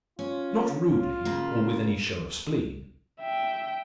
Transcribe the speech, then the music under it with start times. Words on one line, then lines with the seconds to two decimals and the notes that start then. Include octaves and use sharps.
Not rudely, or with any show of spleen.
0.19 C#4 F4
0.91 F4
1.25 C#3 A#3
3.20 E5 G5